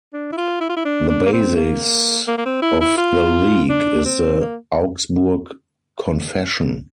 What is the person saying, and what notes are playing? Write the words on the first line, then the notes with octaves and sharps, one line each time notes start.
The basis of the league is the Augsburg Confession.
D4
E4
F4
E4
F4
E4
D4
D4
A#3
C4
A#3
A#3
A#3
C4
E4
E4
F4
D4
C4
A#3